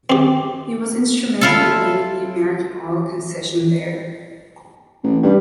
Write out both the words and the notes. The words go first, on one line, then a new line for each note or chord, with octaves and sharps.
He was instrumental in gaining the American oil concession there.
C4 G4
E4 F4 A4
A1
G2 G3